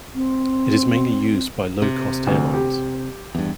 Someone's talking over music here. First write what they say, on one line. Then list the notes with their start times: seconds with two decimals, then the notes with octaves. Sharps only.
It is mainly used by low-cost airlines.
0.15 C4
1.82 C3
2.27 D2
2.54 G4
3.35 E2 G2